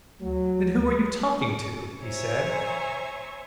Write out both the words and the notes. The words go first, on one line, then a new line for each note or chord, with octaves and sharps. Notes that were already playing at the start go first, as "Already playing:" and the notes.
"Then who are you talking to?" he said.
D2 F#3
C5 C#5 E5 G#5 A#5 C#6